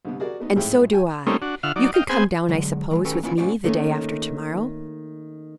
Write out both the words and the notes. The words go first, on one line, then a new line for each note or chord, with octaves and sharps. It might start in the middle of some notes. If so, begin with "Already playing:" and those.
"And so do I. You can come down, I suppose, with me the day after to-morrow?"
C2 D3 B3
F#4 G#4 A#4 D5
A3 B3 D#4
G#1 A2 E4 G#4 G5
F#4 G4 G5 G#5
G3 A3 A#3 C4 C#4 D#4
D4 F#4
D3 F4 E5 F#5 F6
F#3 D#4 D5
D#5 F5 G5
B3 C4 G#4 C5 G#5
D3 F#3 G#3
E3 F#3 G#3
D#3 C#4 F#4 G4 A4 B4
A#3 B3 C#4 D4 E4 F4
A3 C#4 F4 F#4 C5 D5
D#3 A3 A#3 C#4